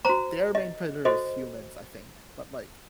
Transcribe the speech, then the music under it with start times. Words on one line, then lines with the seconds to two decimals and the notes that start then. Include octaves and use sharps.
their main predator is humans, I think, but, like,
0.05 F#4 C5 A#5
0.55 D#5
1.05 F#4 A4 C5 D#5